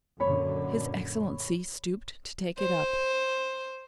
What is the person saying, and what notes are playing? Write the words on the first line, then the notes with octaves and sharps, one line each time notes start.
His Excellency stooped to take it up.
F#2 A#2 D3 C#5 B5
C5